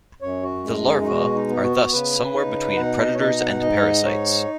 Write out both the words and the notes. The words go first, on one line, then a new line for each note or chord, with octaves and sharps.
The larvae are thus somewhere between predators and parasites.
F#2 C#5
F#4
G#3
D#4
D#4
B2 F#4
D#4
B3
F#4
C#3 B4
D#4
B2 F#5
D#5
C#5
D#4 D#5
F#5
G#2 D#5
D#4 C#5